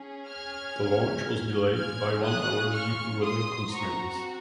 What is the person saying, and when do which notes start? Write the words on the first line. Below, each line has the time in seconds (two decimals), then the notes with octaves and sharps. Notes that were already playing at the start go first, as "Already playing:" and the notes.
The launch was delayed by one hour due to weather constraints.
Already playing: C#4 G#4
0.27 F6 G#6
1.74 C#4 F4 G#4 F6 G#6
2.24 D#6 F#6
2.73 C#6 F6
3.23 C6 D#6
3.72 C4 F#4 A#5 C#6